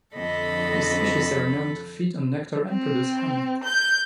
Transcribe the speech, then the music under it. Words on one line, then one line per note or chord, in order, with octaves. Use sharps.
These species are known to feed on nectar and produce honey.
F2 D3 A4 D#5 B5
C4
G6